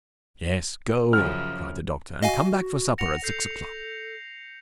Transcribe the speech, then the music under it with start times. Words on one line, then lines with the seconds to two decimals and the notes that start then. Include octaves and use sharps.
"Yes, go," cried the doctor, "and come back for supper at six o'clock."
1.13 F#2 C#3 F3 F6
2.22 F#4 D#5 F5 G#5
2.98 F#5 A#6 C#7 F7
3.24 A4 G6 C7